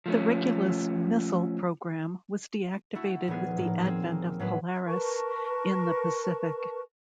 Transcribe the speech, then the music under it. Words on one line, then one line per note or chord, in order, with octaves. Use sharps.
The Regulus missile program was deactivated with the advent of Polaris in the Pacific.
F3 A3 C#4
A3 E4 F#4
D#1 F3 B3 G#4
A2 A#3
C4 G#4
A#3
A2 F#3 G#3 B4
A#4 B4 A5 C#6